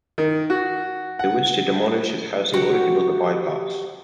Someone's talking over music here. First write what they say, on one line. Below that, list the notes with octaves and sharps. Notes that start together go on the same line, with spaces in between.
They wish to demolish his house in order to build a bypass.
D#3
F#4
F#5
F#4 G4 F#5